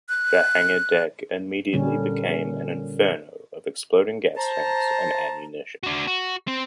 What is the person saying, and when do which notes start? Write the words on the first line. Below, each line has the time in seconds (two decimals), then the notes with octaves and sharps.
The hangar deck immediately became an inferno of exploding gas tanks and ammunition.
0.09 F#6
1.73 A#2 D3 G3 C#4
4.36 C5 A5 A#5
5.83 D4 F#4
6.07 F#4
6.47 C4